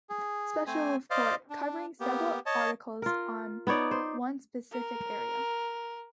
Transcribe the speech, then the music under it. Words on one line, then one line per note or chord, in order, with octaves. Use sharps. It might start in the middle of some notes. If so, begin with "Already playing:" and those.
Special Report: Covering several articles on one specific area.
G#4
A3 C4 C5 G#5
C5 D5 D#5 F5
D4
A#3 B3 G4
C#5 D#5 A5
F4 A#4
B3 D#4 C#5 D5
C5
A#4